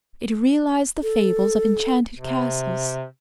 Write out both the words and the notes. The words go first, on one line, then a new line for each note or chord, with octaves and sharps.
It realized the fables of enchanted castles.
A4
C3